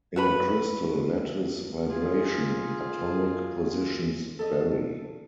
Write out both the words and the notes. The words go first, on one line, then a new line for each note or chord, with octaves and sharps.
In a crystal lattice vibration, atomic positions vary.
F#4 B4 B5
F4 G#4
A4 D5 D#5